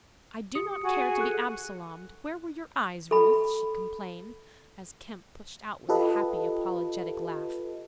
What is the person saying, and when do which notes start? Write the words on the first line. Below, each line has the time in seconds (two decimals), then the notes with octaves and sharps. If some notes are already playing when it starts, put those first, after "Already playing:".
"I do not care to be Absalomed; where were your eyes, Ruth?" she complained, as Kemp pushed out with a happy, apologetic laugh.
0.55 G4 D#6 C#7
0.81 F#4 G#4
1.19 A4 F#6
3.11 A4 B5
5.89 F4 G4 A4 B4 D#5